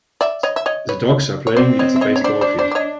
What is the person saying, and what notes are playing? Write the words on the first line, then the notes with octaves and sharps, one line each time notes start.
The dogs are playing at the baseball field.
D5 E5
C#5 D#5
E5
C#5 D#5
B4 C#5
C#5
C4 C5 D5
C#5 D#5
E5
C#5 D#5
C#5
D4 C5 D5
C5 D5
C5 D5
D5
C#5 D#5